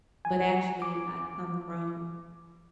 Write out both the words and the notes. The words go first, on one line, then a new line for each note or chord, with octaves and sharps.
But, actually, I come from
G#5
D6